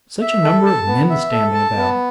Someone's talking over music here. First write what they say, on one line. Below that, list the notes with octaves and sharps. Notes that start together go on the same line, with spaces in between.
Such a number of men standing about!
E5
A4
A5
B3
E5
A4
A5
B3